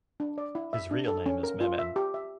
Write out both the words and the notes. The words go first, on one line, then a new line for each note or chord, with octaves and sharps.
His real name is Mehmed.
D4
D5
E4
E5
D4
A4
C#4
A#4
F4
E5
G4
E5